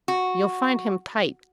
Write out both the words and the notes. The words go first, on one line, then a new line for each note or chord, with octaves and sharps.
You'll find him tight.
F#4